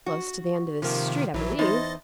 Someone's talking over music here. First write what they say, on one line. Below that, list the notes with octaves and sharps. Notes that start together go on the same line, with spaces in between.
'Close to the end of this street, I believe.
F#4
C3 D#3 F3 A#3
A#1 E3 F#3
E2 D#4 C5 D#5 A6